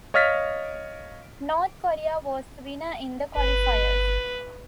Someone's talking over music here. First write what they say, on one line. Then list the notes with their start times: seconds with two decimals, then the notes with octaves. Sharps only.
North Korea was the winner in the qualifiers.
0.14 C#5 D#5 F5 F6 A6 B6
3.37 G1 B4